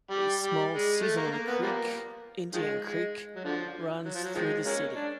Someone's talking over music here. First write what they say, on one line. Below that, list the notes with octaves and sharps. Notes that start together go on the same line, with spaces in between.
A small seasonal creek, Indian Creek, runs through the city.
G3
G3
G#3
A3
A#3
A#3
B3
F3 G3 A#3
D#3 F3 G#3
G#3
F#3
D3 F3
F#3
F3
F#3
D#3 F3 G#3
G#3 A#3 C#4
D4